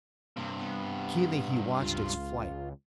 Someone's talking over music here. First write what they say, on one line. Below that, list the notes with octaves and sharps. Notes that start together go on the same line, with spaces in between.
Keenly he watched its flight.
G2 C3 A#3
B3
C#2 F4